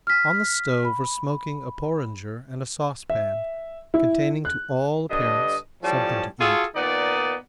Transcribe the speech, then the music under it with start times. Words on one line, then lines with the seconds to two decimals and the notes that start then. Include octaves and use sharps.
On the stove were smoking a porringer and a saucepan, containing to all appearance something to eat.
0.07 F6 B6
0.85 B5
3.10 E5
3.94 E4
4.45 F#6
5.10 G2 D3 D#5
5.83 A2 F3 G3 C#4 A5
6.40 F4 F#4 G#4 A4
6.75 A#2 D#3 B3 D#4 D5